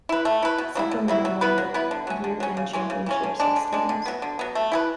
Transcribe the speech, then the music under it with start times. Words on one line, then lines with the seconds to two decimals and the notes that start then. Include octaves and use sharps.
Sacramento won the year-end Championship six times.
0.09 E4 B4
0.25 A3
0.42 E4 B4
0.58 B2
0.75 F#3 B3 E4
0.91 B2
1.08 F#3 B3 E4
1.25 F#3
1.41 B3 E4 B4
1.58 F#3
1.74 B3 E4 B4
1.91 D3
2.07 F#3 C#4
2.24 D3
2.40 F#3 C#4
2.57 C#3
2.73 E3 G#3 C#4
2.90 C#3
3.06 E3 G#3 C#4
3.23 D3
3.40 G#3 D4
3.56 D3
3.73 G#3 D4
3.89 D3
4.05 F#3 B3
4.22 D3
4.39 F#3 B3
4.55 A3
4.72 E4 G#4 B4